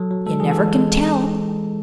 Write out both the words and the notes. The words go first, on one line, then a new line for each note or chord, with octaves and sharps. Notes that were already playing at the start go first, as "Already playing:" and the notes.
You never can tell.
Already playing: F#3 A4
F#3
G#3 A4
E3 G#4
A4
G#3
G#3